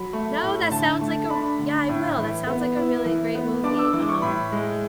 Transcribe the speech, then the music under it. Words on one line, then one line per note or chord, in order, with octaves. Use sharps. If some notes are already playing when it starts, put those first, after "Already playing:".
No, that sounds like a r yeah, I will. That sounds like a really great movie, um,
Already playing: F#3 B5
A3
A2
D3 A5
A3
D4 B5
D3
A2
E3
B3
E4
E3
B3
D4 D6
E6
E3 D6
C#6
A2 B5
G#3